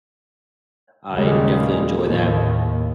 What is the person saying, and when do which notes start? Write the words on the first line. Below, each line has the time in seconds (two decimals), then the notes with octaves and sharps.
I definitely enjoy that.
1.13 D#2 A#2 C#3 G3 G#3 A#3
2.05 D#2 A2